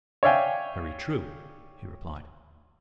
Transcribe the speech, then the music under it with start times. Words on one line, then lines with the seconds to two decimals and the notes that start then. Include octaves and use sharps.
"Very true," he replied.
0.23 C#5 D5 E5 F5 G5 G#5